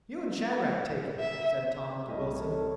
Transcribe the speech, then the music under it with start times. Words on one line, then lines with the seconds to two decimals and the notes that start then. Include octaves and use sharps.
"You and Shadrack take it," said Tom to Wilson.
1.19 E5
2.08 C2 A4 C#5 D#5